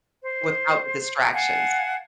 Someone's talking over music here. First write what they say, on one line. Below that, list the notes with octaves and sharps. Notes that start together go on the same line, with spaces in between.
without the distractions.
C5
F5 F#5 G#5 A5